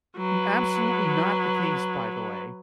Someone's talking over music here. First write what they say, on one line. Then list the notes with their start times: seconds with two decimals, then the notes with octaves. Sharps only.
absolutely not the case, by the way,
0.17 F#3 B4